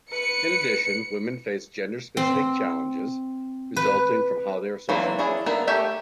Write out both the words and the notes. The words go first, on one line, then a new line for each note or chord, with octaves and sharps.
In addition, women face gender specific challenges resulting from how they are socialized.
B4 C#7
C4
B4
E3 F#3 A#3 C4 D4
C#4 D4 E4 G#4
A#3 B3 D4 A#4 E5
A3 G4 E5 G#5